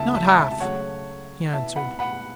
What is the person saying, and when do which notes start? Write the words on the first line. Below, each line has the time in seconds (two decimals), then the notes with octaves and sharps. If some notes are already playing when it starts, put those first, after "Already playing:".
"Not half!" he answered.
Already playing: C#2 C#3 A3 E4 E5 A5
0.15 E5 A5
0.38 E5 A5
0.51 A5
0.60 C#3 F#3 A3 C#5 F#5
1.53 B2 B3 E4 E5 A5
1.76 F#5 B5
1.99 F#5 B5